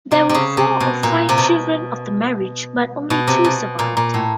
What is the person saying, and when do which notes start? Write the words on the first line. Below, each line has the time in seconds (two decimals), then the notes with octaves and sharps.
There were four or five children of the marriage, but only two survived.
0.11 C3
0.29 C3
0.34 C#3
0.57 C3
0.80 B2
1.03 A#2
1.29 C3
1.38 B2
3.10 B2
3.27 C3
3.44 B2
3.79 A#2
3.97 A#2
4.14 A2